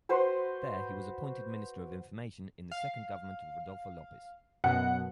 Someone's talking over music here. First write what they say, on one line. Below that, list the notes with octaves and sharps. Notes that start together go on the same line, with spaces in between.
There he was appointed Minister of Information in the second government of Rodolfo Llopis.
F#4 B4 C5 C6
F5
F#2 B2 F#5